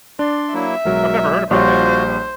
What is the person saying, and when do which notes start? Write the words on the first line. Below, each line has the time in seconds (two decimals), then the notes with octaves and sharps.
I've never heard about them.
0.19 D4 D5 C6
0.54 F#3 A#3 E4 E5
0.85 B1 F#3 G#3 A#4
1.51 A#1 G3 F4 F#4 C5 C#5